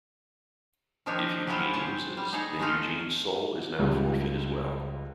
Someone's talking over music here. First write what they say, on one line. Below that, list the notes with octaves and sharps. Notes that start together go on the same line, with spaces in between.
If Eugene loses, then Eugene's soul is now forfeit as well.
D#3 F3 D4 D#4 G4 C#5
F#3 G#3 E4 F4 G4
C5 C#5 F#5 G#5 A5
G3
D#4 G#4 A4 C#5
G#3 A3 D#4 F4 A4
C#2 G3 F4